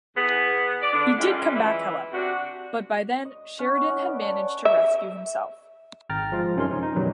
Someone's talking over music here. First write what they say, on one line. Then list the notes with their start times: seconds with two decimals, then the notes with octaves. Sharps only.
He did come back however but by then Sheridan had managed to rescue himself.
0.16 E2 B3 G#4
0.81 D5
0.93 D3 D4
1.17 F#2 G3 G#3 F4
1.54 E3 E4
2.13 C3 D4 F#4
3.25 D#5
3.59 C#4 F#4
3.87 C#4 D#5
4.06 B4 D5
4.21 C#5 D5 G#5 A5
4.65 E5
6.09 G#1 G5 A#5 F6 A6
6.32 F3 G#3 F4
6.56 F#2 C3 C#4 D#4 A#4 C6
6.70 F3 C#4 D#4
6.83 D#4
6.95 F#2 B2 D#3 E3 F#3 G3